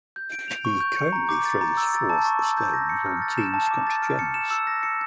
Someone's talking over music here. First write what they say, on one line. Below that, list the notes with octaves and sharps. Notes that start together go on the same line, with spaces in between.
He currently throws Fourth stones on Team Scott Jones.
G6
D7
F7
C#6
G6
C#7
A#5
D6
A6
A#5
E6
A6
A5
C#6
E6
G6
A#6
C#7
F6
A6
E7
A5
D6
A6
F6
C#7
E7
E6
A#6
C#7